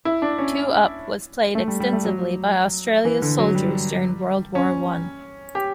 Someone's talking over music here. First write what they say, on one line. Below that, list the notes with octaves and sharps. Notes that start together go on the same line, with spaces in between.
Two-up was played extensively by Australia's soldiers during World War One.
E4
D4
C#4
A3
G3
G3
A3
F#3
E3
D3
F#3
G3
C#4
G4